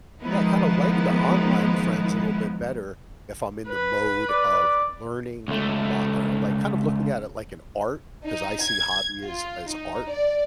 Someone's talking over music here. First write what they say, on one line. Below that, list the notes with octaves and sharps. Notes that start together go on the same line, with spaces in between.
yeah, kinda like the online friends a little bit better if I'm in the mode of learning my or, like, kind of looking at it like an art 'cause I see hobby as as art,
D#3 F3 G#3 B3 D#4 E4
B4
D5
C#2 A3
D#4
G#6
F4
D#4
D5